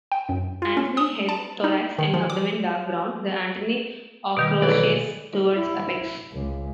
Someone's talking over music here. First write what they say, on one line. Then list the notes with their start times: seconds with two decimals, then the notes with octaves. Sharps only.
Antennae, head, thorax and abdomen dark brown; the antennae ochraceous towards apex.
0.12 G5
0.29 F#2
0.62 F4
0.77 C#4
0.97 D#6
1.29 A5
1.64 D#4
1.98 D#3
2.14 F3
2.30 D6
4.37 B2 D#3 G3
4.62 B1 E3 D5
5.51 E4
6.32 C#2